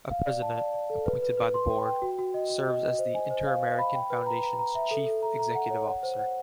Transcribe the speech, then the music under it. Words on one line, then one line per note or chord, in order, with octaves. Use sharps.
A president, appointed by the board, serves as the Inter-American Foundation's chief executive officer.
F5
D5
A5
D5
D5
A4
B4
B4
B4
C6
G5
G5
F#4
F#4
D#5
F#4
D#5
D#5
C5
G#5
C5
F5
F5
B5
G5
B4
A#5
A#5
A#5
E5
A4
A4
A#5
A#5
F#5
C#5
F#5
C5
F#5